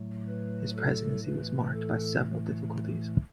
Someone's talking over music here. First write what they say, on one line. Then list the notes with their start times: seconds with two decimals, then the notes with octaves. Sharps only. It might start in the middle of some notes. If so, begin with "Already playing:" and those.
His presidency was marked by several difficulties.
Already playing: A2 F#3 A3
0.28 B4
0.76 A4
1.24 A2 E3 A3 B4
1.73 A4